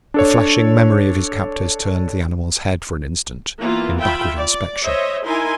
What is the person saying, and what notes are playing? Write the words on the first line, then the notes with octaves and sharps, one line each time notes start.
A flashing memory of his captors turned the animal's head for an instant in backward inspection.
D4 A4 C#5
E3 A#3 B3 E4 F4
F4 E5 G5 B5
D5
C5 C#5 D#5 E5
D#4 E4 A#4 G#5 C6